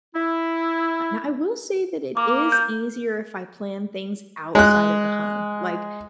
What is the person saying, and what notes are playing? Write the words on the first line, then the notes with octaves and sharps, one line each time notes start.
uh now I will say that it is easier if I plan things outside of the home, like
E4
A#3 D6
G6
G#3 F#6